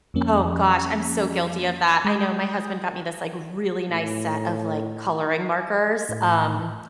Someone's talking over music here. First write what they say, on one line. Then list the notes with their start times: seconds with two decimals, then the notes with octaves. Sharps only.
Oh gosh, I'm so guilty of that, I know. My husband got me this, like, really nice set of, like, coloring markers, um,
0.14 F2 F3 A#3 C#4
2.05 G#3 D#6 G6
3.90 A2
6.09 A2